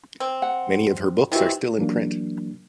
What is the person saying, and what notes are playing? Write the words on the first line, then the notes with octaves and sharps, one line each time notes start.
Many of her books are still in print.
C4
F#5
D#3 E3 C4 E4 G4
E3 F#3 A#3 D4